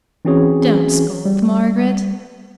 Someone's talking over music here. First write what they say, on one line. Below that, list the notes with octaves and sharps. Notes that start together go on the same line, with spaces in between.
'Don't scold, Margaret.
E3 C4 C#4 F#4 G#4 C#5
G3